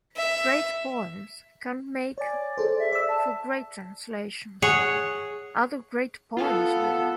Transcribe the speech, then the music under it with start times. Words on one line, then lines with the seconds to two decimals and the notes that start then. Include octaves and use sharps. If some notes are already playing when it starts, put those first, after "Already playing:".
Great poems can make for great translations, other great poems really.
0.17 E5
2.18 C#5 D5 G#5
2.58 G#4 A4 C5
2.79 E5
2.93 D5 E6
3.09 A5
4.62 G#4 C#5 F#5
6.37 B3 F4 A4 F5